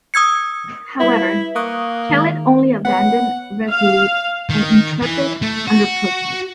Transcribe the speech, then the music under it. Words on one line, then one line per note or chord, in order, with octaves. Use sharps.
However, Kellett only abandoned "Resolute" and "Intrepid" under protest.
D#6 E6 G#6 C#7
G3 E4 B4
A#3 C#6 D#6 F#6
D#3 G#3
B3 B4 C#5 F#5
F5
D#3
E3
A3
F#4